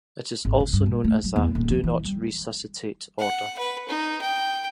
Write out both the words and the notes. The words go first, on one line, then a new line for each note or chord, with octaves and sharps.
It is also known as a "do not resuscitate" order.
G#1
C#3
G2
A#2
A3
F#3
E2
D#1
F3
E3
G3
F#5
B4
D#4
G5